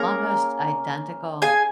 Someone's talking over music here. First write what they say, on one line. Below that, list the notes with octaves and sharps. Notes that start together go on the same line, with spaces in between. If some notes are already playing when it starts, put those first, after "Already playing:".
almost identical
Already playing: A#3 C#4 G#4 A#4 A#5
G#4 G#5